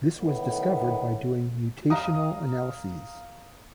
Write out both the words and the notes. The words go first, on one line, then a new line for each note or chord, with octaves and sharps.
This was discovered by doing mutational analyses.
A2 D3 D#3 B3
F5 A#5 D#6